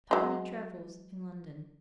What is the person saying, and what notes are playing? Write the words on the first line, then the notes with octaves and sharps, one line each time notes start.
Tuppenny travels in London.
F#3 G#3